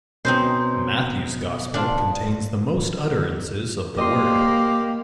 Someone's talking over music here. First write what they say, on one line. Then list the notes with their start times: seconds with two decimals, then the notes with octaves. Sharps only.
Matthew's gospel contains the most utterances of the word.
0.25 B2 C4 C#4 D#4 C5
1.74 D4 F4
3.98 A#3 G4 D#5 C6